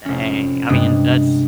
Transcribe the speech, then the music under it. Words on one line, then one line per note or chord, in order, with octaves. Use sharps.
Dang. I mean, that's
F1 C#4
G2 C3 G3 G#3 B3 D4